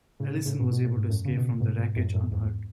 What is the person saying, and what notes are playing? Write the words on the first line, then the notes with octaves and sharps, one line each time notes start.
Ellyson was able to escape from the wreckage unhurt.
A2 C#3
A2 C#3
A2 C#3
G#2 B2
B2
A2
G#2
F#2 A2
C#3
B2
A2
G#2 B2
G#2 B2
F#2 A2
F#2 A2
E2 G#2